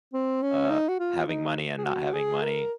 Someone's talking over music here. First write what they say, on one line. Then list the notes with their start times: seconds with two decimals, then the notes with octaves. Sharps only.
uh, having money and not having money.
0.13 C4
0.42 C#4
0.70 D#4
0.89 F#4
0.99 F4
1.27 D#4
1.78 G#4
1.85 F#4
2.13 G#4
2.42 A#4